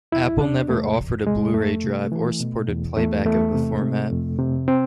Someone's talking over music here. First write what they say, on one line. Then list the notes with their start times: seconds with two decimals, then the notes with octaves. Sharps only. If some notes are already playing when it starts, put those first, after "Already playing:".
Apple never offered a Blu-Ray drive or supported playback of the format.
0.12 E2 E4
0.41 C3 D4
0.69 E2 A3
0.97 E2
1.26 C3 G#3
1.54 F2 A3
1.83 C3
2.12 E3
2.40 B2
2.69 E2
2.97 E2 A3
3.26 E2 A3
3.54 C3
3.82 C3
4.11 F2
4.39 C3
4.68 C4